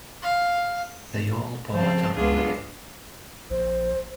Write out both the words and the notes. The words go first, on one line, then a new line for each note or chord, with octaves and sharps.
They all part angrily.
F5
C#3 F3 C4 C5 A5
C#2 B3 D4 F4 G#4
A#1 C5